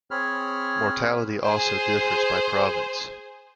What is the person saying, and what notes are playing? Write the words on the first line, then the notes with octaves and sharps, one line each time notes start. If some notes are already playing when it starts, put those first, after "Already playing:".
Mortality also differs by province.
C4 G#4 C#5 B5 F6
G#4 C5